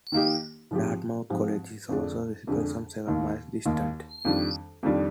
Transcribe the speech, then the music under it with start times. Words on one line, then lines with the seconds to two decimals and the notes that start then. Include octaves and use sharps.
Dartmouth College is also visible some seven miles distant.
0.12 D#3 A#3 D#4 G4
0.71 G#2 F3 C4 G4
1.30 G#2 F3 C4 G4
1.89 F2 D3 G#3 D4 G#4
2.47 F2 D3 G#3 D4 G#4
3.07 D#2 D#3 A#3 D#4
3.65 D#2 D#3 A#3 D#4
4.25 F2 D#3 G3 D4
4.83 F2 D#3 G3 D4